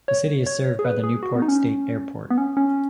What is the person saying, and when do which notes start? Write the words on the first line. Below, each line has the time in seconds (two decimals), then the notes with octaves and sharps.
The city is served by the Newport State Airport.
0.08 C#5
0.46 C#5
0.79 G#4
0.85 B4
1.04 G#4
1.23 F#4
1.36 B3
1.42 D#4
1.48 C#4
2.30 B3
2.38 C#4
2.57 C#4